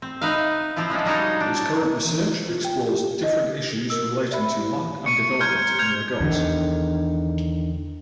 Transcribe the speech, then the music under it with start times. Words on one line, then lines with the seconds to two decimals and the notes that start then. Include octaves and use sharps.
His current research explores different issues relating to land and development in Lagos.
0.02 C4
0.21 D#4 B4 E5 F5
0.76 F3 C4 E4 F4
0.90 F3 G#3 C#4 D4
1.05 F#3 G3 D#4 A#4 C5 C#5
1.40 D4
1.77 A#5
2.04 E3
2.48 F4
2.65 G5
2.87 G4
3.23 D#5
3.90 A#4 E6
4.31 D5 E5 B5
5.06 C#6 C#7 D#7
5.41 A#5 C6 F6 G6 G#6 C#7
5.79 F6 G6 G#6 F7
6.20 E2 D3 D#3